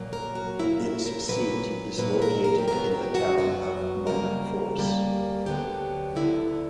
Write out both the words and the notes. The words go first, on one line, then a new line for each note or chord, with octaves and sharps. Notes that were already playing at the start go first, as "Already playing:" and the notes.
Its seat is located in the town of Munkfors.
Already playing: A#2 F#3 A#3
A#4
F#4
A#2 F#3 A#3 E4
E4
A#4
A#2 F#3 A#3 B4
A#2 F#3 A#3 B4
A#4
A#4
G4
F#2 C#3 F#3 B3 A#4
G4
F#4
F#2 C#3 F#3 B3 F#4
D2 C#3 G3 A#3 A#4
D2 C#3 G3 A#3
D2 D3 F#3 B3 G4
D2 D3 F#3 B3 E4